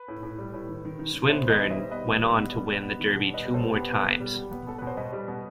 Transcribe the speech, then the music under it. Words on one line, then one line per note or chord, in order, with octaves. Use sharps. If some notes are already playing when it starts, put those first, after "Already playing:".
Swinburn went on to win the Derby two more times.
Already playing: B4
A2
A2
G3
A2
D#3
D#3
D#3
D#3
B3 C5 E5
D#3 B4 D#5
D#3
C5 E5
G3
B3 B4 D#5
D#3
G3
B3
G3
G3
B3
D#3
B2
G3 B4 D#5
G3
A4 C5
B2
B3 G4 B4
B3
B3
G3
B2
B3
B2 A4
B2 B4
C5
B2 B4 D#5
G3
B2